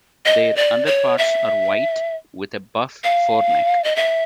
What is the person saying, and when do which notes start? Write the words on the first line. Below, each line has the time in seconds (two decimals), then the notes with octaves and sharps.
Their underparts are white, with a buff foreneck.
0.25 D#5
0.56 D5
0.86 C#5
1.18 E5
3.04 F5
3.84 D#5
3.96 E5